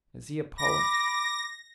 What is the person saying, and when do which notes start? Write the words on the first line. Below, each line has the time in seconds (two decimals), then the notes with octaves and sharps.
Is he a poet?
0.58 B5 D6 A#6